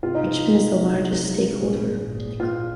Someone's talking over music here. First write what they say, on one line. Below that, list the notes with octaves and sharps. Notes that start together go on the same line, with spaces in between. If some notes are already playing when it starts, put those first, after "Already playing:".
Richemont is the largest shareholder in the enlarged Group.
C3 F4
D#4
C3 F4
G#3
C3 F4
C3
G#3
A#2 G#4
A#2
A#2
A#2 F4